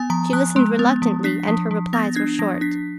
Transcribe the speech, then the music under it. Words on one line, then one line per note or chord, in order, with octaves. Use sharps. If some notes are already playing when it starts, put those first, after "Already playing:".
She listened reluctantly, and her replies were short.
Already playing: B3 G#5
F3 A#5
F3 F#6
G#3
B3
F3
D4 B6
F3
F3
B3 A#6
D4 G#6
F3 A#6
D4 B6